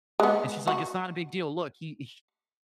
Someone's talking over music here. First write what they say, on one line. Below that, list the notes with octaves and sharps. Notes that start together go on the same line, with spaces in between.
And she's, like, "It's not a big deal. Look. He he
G#3 B3
F#4